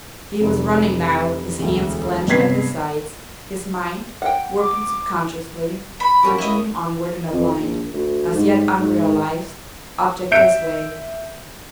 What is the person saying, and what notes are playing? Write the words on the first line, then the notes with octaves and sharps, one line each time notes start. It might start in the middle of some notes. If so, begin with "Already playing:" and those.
He was running now, his hands clenched at his sides; his mind, working subconsciously, urging him onward in a blind, as yet unrealised, objectless way.
F1
E1 D2
G2 C3 B3 G#6 B6 C7
F#5 G5
D6
B5
A#3 C#4 F#4
E4 D#5
F2
A#1
D2
G#2
G#2
E5 G6 D7